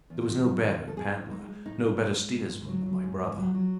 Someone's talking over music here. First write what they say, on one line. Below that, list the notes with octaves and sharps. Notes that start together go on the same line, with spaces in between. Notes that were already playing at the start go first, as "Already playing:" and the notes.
There was no better paddler, no better steersman than my brother.
E2
E2
F#3
D#3
E2
A4
A2 G#4
A2
G#3 D#4
G#3
A2 D#4
A2
G#3
G#3
G#2
G#2
F#3
F#3
G#2
G#2
F#3
F#3